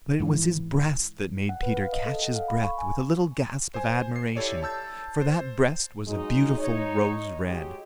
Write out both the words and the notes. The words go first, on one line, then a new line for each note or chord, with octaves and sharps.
But it was his breast that made Peter catch his breath with a little gasp of admiration, for that breast was a beautiful rose-red.
G#2 E3
F#5
B4
F5
D#5
A4
F#5
F5
B5
C#6
G#5
C5 G#5
C7
E4 G4 A4 C#5 D5
A5 E6 G6 A6
C5
F#3 G#3 D#4
D#4 C#5
F#3 G#3 G4